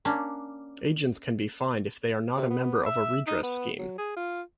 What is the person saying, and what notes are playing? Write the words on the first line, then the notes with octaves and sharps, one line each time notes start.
Agents can be fined if they are not a member of a redress scheme.
A#3 C#4 D4
C3
B3
E5
D#4
B3
F#3
G#4
F4